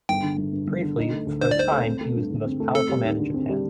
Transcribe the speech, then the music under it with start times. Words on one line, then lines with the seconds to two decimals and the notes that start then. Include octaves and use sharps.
Briefly, for a time he was the most powerful man in Japan.
0.09 G1 G5
0.23 D3
0.38 G1
0.53 G2
0.67 G1
0.82 D3
0.98 D#4
1.13 A3
1.27 D2
1.41 D3 C5
1.51 D5
1.56 D#4 C5
1.71 A3
1.85 C4
2.01 A3
2.16 G2
2.31 D3
2.46 C4
2.60 A3
2.75 C4 A4
2.89 G3
3.04 D#2
3.19 D3
3.34 C4
3.49 G3